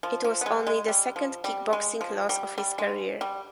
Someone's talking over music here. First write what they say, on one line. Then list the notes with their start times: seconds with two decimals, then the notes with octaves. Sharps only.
It was only the second kickboxing loss of his career.
0.03 F3
0.24 F3
0.41 B3
0.46 G#3
0.67 G#3
0.88 G3
1.16 F3
1.44 G3
1.73 G#3
2.01 F3
2.29 G3
2.58 G3
2.79 G#3
3.21 G3